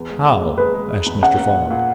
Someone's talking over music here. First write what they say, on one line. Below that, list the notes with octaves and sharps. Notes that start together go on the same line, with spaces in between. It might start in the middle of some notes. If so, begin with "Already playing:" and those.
"How?" asked Mr. Fogg.
Already playing: E2 B3
G#3
G#3
F#1
G#3 B4
G#3
G#3
E2
C#4 F#5
A#3
A#2
A#2